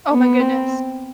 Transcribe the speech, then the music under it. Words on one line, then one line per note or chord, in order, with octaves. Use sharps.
Oh my goodness.
B3
C4